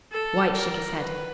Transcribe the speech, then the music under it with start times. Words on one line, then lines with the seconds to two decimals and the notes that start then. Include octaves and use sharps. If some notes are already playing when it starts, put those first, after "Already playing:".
White shook his head.
0.12 A4
0.56 A#4
0.99 B4